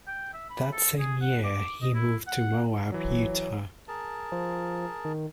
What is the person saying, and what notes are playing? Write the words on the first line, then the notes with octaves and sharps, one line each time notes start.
That same year he moved to Moab, Utah.
G5
E5
B5
A4
G#4
F#5
D6
D#5
E4
F#5
E3 F#3 C#5
G#4 A#4 A5
F3
D#3